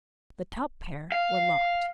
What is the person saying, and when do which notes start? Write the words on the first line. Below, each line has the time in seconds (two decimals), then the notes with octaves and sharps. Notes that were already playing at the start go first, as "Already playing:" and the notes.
The top pair were locked.
1.12 F5